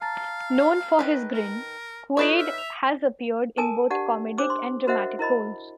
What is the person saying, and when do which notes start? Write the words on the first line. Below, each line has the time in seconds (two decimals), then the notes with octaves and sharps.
Known for his grin, Quaid has appeared in both comedic and dramatic roles.
0.01 F5 A5 A#5 A6
0.99 D#3 G#3 B4
1.33 A#4
2.17 D#4 F4 A4 B4 C#5 C#6
2.38 E5 F6
2.54 B6 F7
3.57 A4 A#4 G#5 A5 D#6
3.90 D4 G4 D5 F#5 A5
4.38 D4 C5 D6 E6
4.50 C6
4.87 F#4 A#4 C5 D#5 E5 F#5
5.19 E4 A#4 D#5 B5